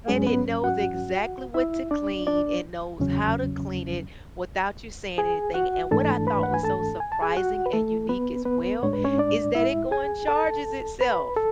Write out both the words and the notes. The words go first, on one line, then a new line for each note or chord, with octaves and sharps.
And it knows exactly what to clean, it knows how to clean it without you saying anything and what I thought was so surprising and unique as well, is that it go and charges itself.
G#2 F#3 G#3 C#4 G#4
B3 B4
F#4 F#5
E4 E5
D4 D5
D4 D5
E2 C#3 F#3 C#4
G#4 G#5
F#4 F#5
G#2 E3 A3 D4 A4 A5
B4 B5
F#5
G#5
A4 A5
G#5
A5
G#4 G#5
F#4 F#5
B4
A3 A4
B3 B4
B3 B4
A2 G#3 D4 C#5
B4
C#4 C#5
D4 D5
E4 E5
G#4 G#5
A4 A5
B4 B5
A4